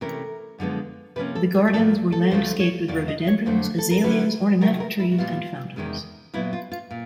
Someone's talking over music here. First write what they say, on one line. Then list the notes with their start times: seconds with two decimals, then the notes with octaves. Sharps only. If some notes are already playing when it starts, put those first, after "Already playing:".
The gardens were landscaped with rhododendrons, azaleas, ornamental trees and fountains.
0.01 C3 E3 A3 C#4 A#4
0.58 F#2 D3 F3 G#3 B3
1.16 C3 F3 A#3 C#4 B4
1.35 A4
1.55 G#4
1.67 G#4
1.73 G#2 F3 A#3 A4
2.12 A4
2.31 D2 C#3 F3 A3 C5
2.60 C#5
2.88 E2 C#3 E3 D5
3.08 D#5
3.27 C#5
3.46 F2 D3 F#3 A3 D4 C5
3.78 A4
3.91 A#4
4.04 D3 F#3 A#3 C#4 E4 B4
4.61 C3 D#3 F#3 A3 A#4
4.80 A#4
5.00 E4
5.12 F#4
5.18 A#2 G3 B3 F4
5.76 E2 C3 D#3 G#3 C#4
6.34 A#2 F#3 B3 E4
6.53 F4
6.72 F4
6.91 A#2